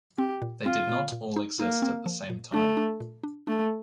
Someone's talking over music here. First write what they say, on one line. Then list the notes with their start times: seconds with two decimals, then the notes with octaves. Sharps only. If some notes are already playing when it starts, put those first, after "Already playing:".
They did not all exist at the same time.
0.18 C4 G4
0.42 A#2
0.65 C4 F4
0.89 A#2
1.12 A#2
1.36 D#4
1.59 A#3 D#4
1.82 C4
2.06 F3
2.30 A#2
2.53 A3 D4
2.77 D4
3.00 A#2
3.23 D4
3.47 A3 D4